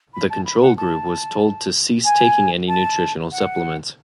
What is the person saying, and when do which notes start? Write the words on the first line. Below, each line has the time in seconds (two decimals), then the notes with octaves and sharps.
The control group was told to cease taking any nutritional supplements.
0.14 B5
0.30 A5
0.45 B5
0.61 F#5
0.77 A5
2.05 G#5
2.68 A5
3.32 F#5